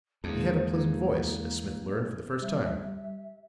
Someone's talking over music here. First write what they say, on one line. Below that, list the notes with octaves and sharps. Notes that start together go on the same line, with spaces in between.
He had a pleasant voice, as Smith learned for the first time.
E2 D3 G#3 A#3 A4
G3 E5